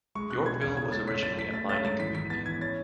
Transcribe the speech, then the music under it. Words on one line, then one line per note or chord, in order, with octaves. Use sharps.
Yorkville was originally a mining community.
G#3 C#6
B2 F#6
B2 G#6
E2 G#6
C#3 G#6
G#3 A6
C#4 B6
F#2 A6
A3 B6
A3 A6
C#4 A6
G#2 A6
E3 B6
E3 B6
B3 A6
E3 G#6
C#4 A6